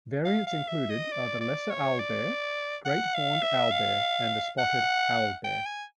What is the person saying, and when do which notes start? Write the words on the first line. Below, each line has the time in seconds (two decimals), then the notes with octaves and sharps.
Variants included are the lesser owlbear, great horned owlbear and the spotted owlbear.
0.25 F5
0.47 F5
0.68 E5
0.90 D#5
1.12 D5
1.41 D5
1.70 C#5
1.99 D5
2.85 F#5
3.14 F5
3.43 E5
3.72 F5
4.58 F#5
5.44 G5
5.66 G#5